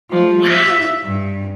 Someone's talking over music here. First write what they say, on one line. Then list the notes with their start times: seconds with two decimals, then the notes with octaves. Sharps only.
Oh, wow.
0.11 F3
0.50 E5
1.03 G2